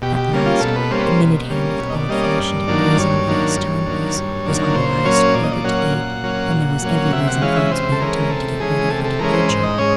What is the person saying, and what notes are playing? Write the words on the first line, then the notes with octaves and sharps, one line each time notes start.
At last the minute-hand of the old-fashioned brazen-faced timepiece was on the last quarter to eight, and there was every reason for its being time to get ready for departure.
B2 G4
G4
G3 A#3 C#4
F4
B2 A4
B4
G3 A#3 C#4 C5
B4
C5
B2
G3 A#3 C#4
B2 C#5
D#5
D5
G3 A#3 C#4 D#5
D5
G2
D#3 F#3 A#3 D4
G2 C#5
D#3 F#3 A#3 D4
G2
D#3 F#3 A#3 D4
G2
D#3 F#3 A#3 D4
A#2 C5
F#3 A#3 C#4 C#5
A#2 D5
D#5
D5
F#3 A#3 C#4 F#5
A#2
F#3 A#3 C#4
A#2
F#3 A#3 C#4
C3 E5
F#5
E3 G#3 C#4 F5
E5
C3 C5
A4
E3 G#3 C#4 A#4
C3 A4
E3 G#3 C#4 G#4
C3 A4
A4
E3 G#3 C#4 A#4
C5
G#2 C5
D#5
G#3 C#4 C#5